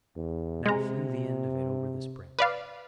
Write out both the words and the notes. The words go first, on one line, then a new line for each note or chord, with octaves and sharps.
Now fling the end of it over this branch.
E2
C3 G#3 A#5
B4 D5 F5